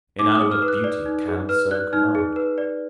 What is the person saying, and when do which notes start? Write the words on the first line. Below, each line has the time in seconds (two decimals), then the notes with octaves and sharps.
Inanimate beauty can so command.
0.19 D#4 D6
0.35 D#6
0.41 G#4
0.51 F6
0.63 B4
0.68 F#6
0.84 D5
1.06 D#4
1.27 G#4
1.49 B4 F6
1.71 D5 F#6
1.93 D#4 F6
2.15 G#4
2.36 B4
2.58 D5